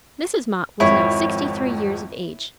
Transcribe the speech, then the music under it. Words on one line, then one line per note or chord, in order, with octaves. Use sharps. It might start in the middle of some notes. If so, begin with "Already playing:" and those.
Mrs. Mott was now sixty-three years of age.
G#1 F2 E4 C#5